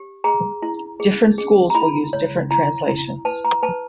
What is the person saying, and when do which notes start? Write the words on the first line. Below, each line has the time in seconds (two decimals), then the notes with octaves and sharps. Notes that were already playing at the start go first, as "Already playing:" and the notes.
Different schools will use different translations.
Already playing: G4
0.24 G#4 A#5
0.62 E4
1.00 G#4
1.38 G#4
1.70 A#5
1.75 E4 B5
2.13 C#5
2.51 E4 A#5
2.88 E4
3.25 B4 A5
3.45 A#5
3.63 B4 A5